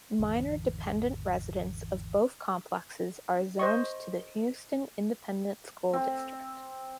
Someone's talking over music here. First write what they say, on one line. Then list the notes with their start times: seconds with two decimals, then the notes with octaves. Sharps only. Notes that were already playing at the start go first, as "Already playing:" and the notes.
Minor dependent residents of both complexes are zoned to the Houston Independent School District.
0.19 G#1 E2 D3 E3
3.59 C5 D#5 C#6
5.93 C4